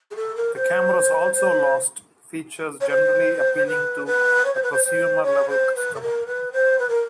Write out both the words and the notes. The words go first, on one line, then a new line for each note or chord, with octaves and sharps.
The cameras also lost features generally appealing to a prosumer level customer.
G#4
A4
A#4
C5
C5
C#5
C5
B4
B4
C#5
C5
B4
C5
C5
C#5
C5
B4
A4
A#4
B4
C5
B4
A#4